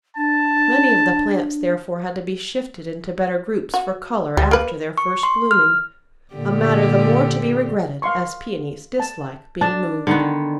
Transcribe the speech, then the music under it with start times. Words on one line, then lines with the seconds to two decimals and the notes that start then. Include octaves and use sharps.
Many of the plants therefore had to be shifted into better groups for colour after their first blooming, a matter the more to be regretted as Paeonies dislike being moved.
0.17 D4 A5
3.74 F#4
4.37 D2 G3
4.51 A#3 B4
4.98 C#6
5.23 C6
5.51 F6
6.35 A#2 D3 G4
8.02 F5 C6 C#6
9.00 A5
9.61 D4 A5
10.07 D3 D#3 B3